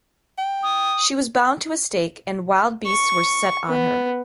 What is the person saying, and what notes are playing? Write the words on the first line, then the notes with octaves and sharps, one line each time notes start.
She was bound to a stake and wild beasts were set on her.
G5
D#6
C#6
B3